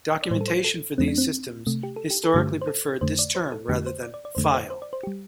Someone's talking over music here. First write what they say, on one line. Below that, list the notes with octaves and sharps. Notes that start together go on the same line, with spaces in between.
Documentation for these systems historically preferred this term rather than "file".
D5
A2 G3 C5
A4
C5
A4
F2 F3 A3 C4
D4
C4
C3 A3
G4
A4
G4
A4
G2 D3 A3 G4
C5
A4
F2 D3 A3 C5
D5
C5
A4
F2 D3 A3 G4
C5
D5
D5
D5
F2 D3 A3 C5
A4
C5
C5
D5
C5
G3 G4